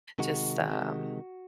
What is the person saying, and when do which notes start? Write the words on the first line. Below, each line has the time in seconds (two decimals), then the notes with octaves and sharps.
just, um,
0.19 C3 D#3 G#3 F#4
0.69 C3 D#3 G#3